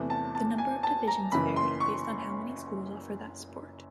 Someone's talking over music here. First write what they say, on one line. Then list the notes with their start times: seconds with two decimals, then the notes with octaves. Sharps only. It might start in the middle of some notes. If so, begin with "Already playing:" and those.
The number of divisions vary based on how many schools offer that sport.
Already playing: E2 C3 E3 A3
0.10 A5
0.35 A5
0.58 G#5
0.83 A5
1.07 A#5
1.32 F#1 F#2 C#3 E3 B5
1.56 C6
1.80 C#6